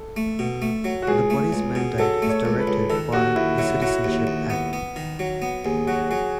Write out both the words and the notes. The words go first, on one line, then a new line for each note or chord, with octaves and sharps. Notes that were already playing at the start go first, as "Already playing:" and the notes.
The body's mandate is directed by the Citizenship Act.
Already playing: A4
A3
B2
A3
F#3
F#4
C#2 G#4
A3
C#2
B2
F#3 A4
A3
C#5
C#2
B4
C#2
D#3 A4
D#2 F#4
D#2 E4
F#3 E4
F#3 F#4
D#2
D#2
B3
B3
D#3
F#3
B3
D#2 G#4
F#3 F#4
F#3 G#4